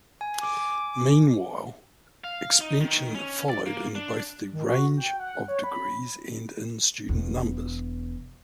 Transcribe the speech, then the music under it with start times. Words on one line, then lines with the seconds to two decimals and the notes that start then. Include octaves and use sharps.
Meanwhile, expansion followed in both the range of degrees and in student numbers.
0.21 G#5
0.41 D6
2.24 F5
2.60 D#4
2.81 D#3
3.15 C#4
3.50 D5
3.66 A#3
3.95 D4
4.52 D#3
4.64 F#4
4.97 G5
5.20 F#5
5.48 C#5
5.64 B5
7.09 E1 E2